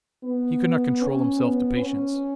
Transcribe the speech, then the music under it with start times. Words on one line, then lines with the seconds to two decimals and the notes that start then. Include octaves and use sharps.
He could not control himself to patience.
0.24 B3
1.02 C#4
1.41 B3
1.79 C#4